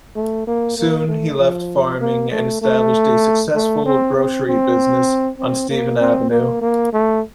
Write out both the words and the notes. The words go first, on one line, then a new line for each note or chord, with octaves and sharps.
Soon he left farming and established a successful grocery business on Stephen Avenue.
A3
A#3
A#3
A3
F3
A#3
A3
A3
A3
C4
C4
C4
C4
A#3
C4
A#3
A#3
A3